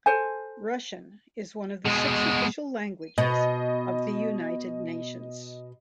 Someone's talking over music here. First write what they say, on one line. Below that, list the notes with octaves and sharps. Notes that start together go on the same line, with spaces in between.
Russian is one of the six official languages of the United Nations.
A4 C5 G#5
B2 G#3
B2 D#5